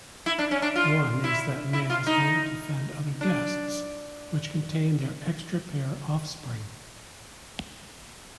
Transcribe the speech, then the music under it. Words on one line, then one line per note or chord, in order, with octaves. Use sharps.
One is that males only defend other nests which contain their extra-pair offspring.
E4
D4
C#4
D4
F4
E4
E4
F4
D#4
D4